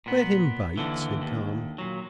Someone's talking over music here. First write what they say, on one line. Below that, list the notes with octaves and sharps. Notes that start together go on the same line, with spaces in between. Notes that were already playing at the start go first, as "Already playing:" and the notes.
"Let him bite," said Tom.
A#2 B3
D#2 D3 E3
D#2
A#2 F#3